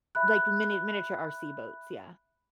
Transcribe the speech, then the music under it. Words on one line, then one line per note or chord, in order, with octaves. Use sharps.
Like mini miniature RC boats, yeah
E5 B5 F#6